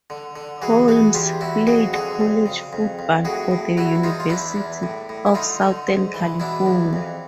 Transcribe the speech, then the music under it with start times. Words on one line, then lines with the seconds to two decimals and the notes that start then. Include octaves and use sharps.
Holmes played college football for the University of Southern California.
0.10 D3
0.36 D3
0.62 E3 F#4 G#4
0.88 E3 F#4 G#4
1.14 E2 F4 G4
1.41 E2 E4 F#4
1.67 F2 F#4 G#4
1.93 D3 F#4 G#4
2.20 F2
2.46 C#3
2.73 F2
2.99 F2
3.25 A2 F#4 G#4
3.51 A2
3.77 E2 E4 F#4
4.04 E2 D#4 F4
4.20 F4
4.29 E2 D4 E4
4.56 E2
4.83 A2
5.09 A2
5.26 E4
5.34 D3 D#4 F4
5.62 D3
5.88 G#2
6.14 E3
6.40 B2 D4 E4
6.66 E2
6.93 F2